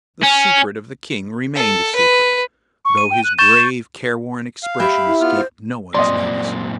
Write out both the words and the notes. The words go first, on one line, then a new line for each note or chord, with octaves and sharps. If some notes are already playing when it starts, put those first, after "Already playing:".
The secret of the King remained a secret, though his grave, careworn expression escaped no one's notice.
C#4
A4
B4
C#6
D#7
G5
F#6
C#6 G6 A6 E7
F5
G4 E5 B5
E4
B3 F4 F6
C5
F#2 A#2 C4 D5 D#5 C6